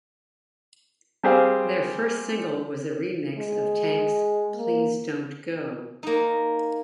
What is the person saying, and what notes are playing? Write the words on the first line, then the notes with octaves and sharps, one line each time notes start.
Their first single was a remix of Tank's "Please Don't Go".
G3 C4 G4 G#4 C5 F5
G#3
A#3
A#3 D#4